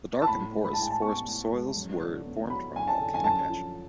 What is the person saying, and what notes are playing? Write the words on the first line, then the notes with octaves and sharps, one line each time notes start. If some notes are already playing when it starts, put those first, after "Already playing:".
The dark and porous forest soils were formed from volcanic ash.
A5
A2 B5
G#3
B5
A5
A2
G#5
A5
B3 C#6
A2
G#3
F#2
D3
B3
F#3 B5
F#2 G#5
A5
D3
G#5
F#2 A5
F3